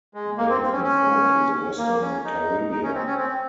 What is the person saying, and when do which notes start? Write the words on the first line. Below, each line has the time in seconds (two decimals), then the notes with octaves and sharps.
They have been found in the western Caribbean.
0.14 G#3
0.38 A#3
0.49 C4
0.61 C4
0.73 C#4
0.84 C#4
1.78 A#3
2.02 C#4
2.25 D#4
2.71 D#4
2.83 C#4
2.95 C4
3.06 C#4
3.18 C4